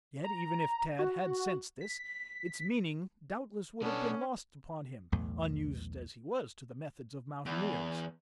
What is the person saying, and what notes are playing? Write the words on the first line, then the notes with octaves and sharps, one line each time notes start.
Yet, even if Tad had sensed this, its meaning doubtless would have been lost upon him, unused as he was to the methods of mountaineers.
A#5
F#4
B6
B2 B3 C#4 D4 A4
B1 E2 A2 A3
E2